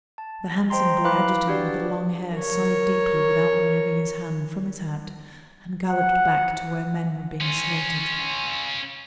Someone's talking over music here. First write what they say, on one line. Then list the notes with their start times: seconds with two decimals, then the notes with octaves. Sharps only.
The handsome boy adjutant with the long hair sighed deeply without removing his hand from his hat and galloped back to where men were being slaughtered.
0.18 A5
0.70 C5 D#5 G5 A#5 C6
1.04 E4 B4 F5 B5 D6 F#6
1.47 D4 F#4 G4 B4 D5
2.36 A#4 C#5
5.85 F#5
7.41 C#4 F4